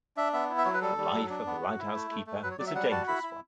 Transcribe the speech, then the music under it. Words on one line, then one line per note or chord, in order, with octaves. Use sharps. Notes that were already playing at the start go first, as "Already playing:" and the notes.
The life of a lighthouse keeper was a dangerous one.
D4 E5
B3 E5
E4
E5
F#3 C#5
B4
G3 A4
G3
F#3
D4
B3
F#4
E4
A3
A3
A3
F#3 B4
C#5
F#3 D5
E5
G3 F#5
F#4 A5
E4 B5
E4